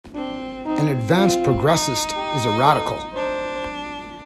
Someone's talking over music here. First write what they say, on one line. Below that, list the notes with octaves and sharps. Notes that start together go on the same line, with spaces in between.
An advanced progressist is a radical.
C4 D4
C4 D#4
F4
D#4
G4
A4
D4 C5